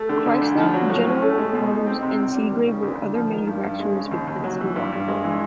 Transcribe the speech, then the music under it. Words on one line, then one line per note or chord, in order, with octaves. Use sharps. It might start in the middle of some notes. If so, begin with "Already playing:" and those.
Chrysler, General Motors and Seagrave were other manufacturers with plants in Walkerville.
Already playing: A3
D3
D2
D2
F3
F#3
A2
C#4
A3
G#3
B2
D#4
C4
C3
C#2
G3
D#3
C#3
D2
D2
F3
D#3
G2
G2
G#3
C#3
D#2
D#2
F#3
E3
G2
G2
G#3
E3